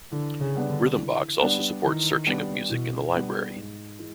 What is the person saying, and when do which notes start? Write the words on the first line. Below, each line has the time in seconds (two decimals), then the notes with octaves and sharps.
Rhythmbox also supports searching of music in the library.
0.12 D3 E3
0.40 C#3
0.55 G3 B3 D4
0.69 D3
0.98 E3
1.41 G3 B3 D4
1.84 D#3 E3
2.26 G3 B3 D4
2.69 B2 E3
3.13 G3 B3 D4
3.56 G#2
3.99 E3 G#3